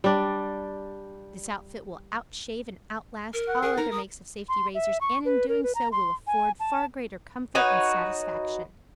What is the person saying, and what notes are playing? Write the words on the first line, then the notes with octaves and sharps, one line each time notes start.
This outfit will out-shave and out-last all other makes of safety razors and, in doing so, will afford far greater comfort and satisfaction.
G3 D4
A#4
F#5
G#4 A#4
D#4 A#4
D#6
C6
E5
C#6
B4
A#4
B4
A#5
C6
G#5
A5
D#4 F#4 B4 C#5